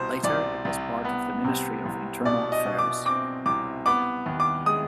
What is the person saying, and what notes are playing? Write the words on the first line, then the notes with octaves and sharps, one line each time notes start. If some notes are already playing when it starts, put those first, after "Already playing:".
Later, it was part of the Ministry of Internal Affairs.
Already playing: C2 B2 C5
C2 D5
C2
B3
C3
C2
B2 D5
D#5
B2
D6
C4 D6
C2 D6
B3 D6
D#2
D6
G#3 D#6